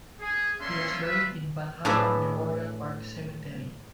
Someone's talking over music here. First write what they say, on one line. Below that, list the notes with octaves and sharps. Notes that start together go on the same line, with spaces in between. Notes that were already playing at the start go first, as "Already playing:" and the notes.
He was buried in Valhalla Memorial Park Cemetery.
G#4
A#3 B3 C#4 D4 E5 C6
F4 B4 E5
A2 D4 G#4 B4 E5